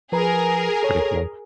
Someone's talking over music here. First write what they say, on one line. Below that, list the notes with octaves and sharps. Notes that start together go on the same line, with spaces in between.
It's pretty cool.
F3 G#4 A#4 B4 A#5
A4 C#5